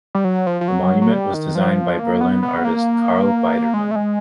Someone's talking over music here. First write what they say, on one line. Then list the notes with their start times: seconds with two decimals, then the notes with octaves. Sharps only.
The monument was designed by Berlin artist Karl Biedermann.
0.15 G3
0.24 F#3
0.47 F3
0.61 F3
0.68 F#3
1.02 F#3
1.12 G3
1.34 D#3
1.55 F3
1.99 A#3
2.21 B3
2.43 B3
2.65 A#3
3.74 G#3
3.91 A3
3.96 G#3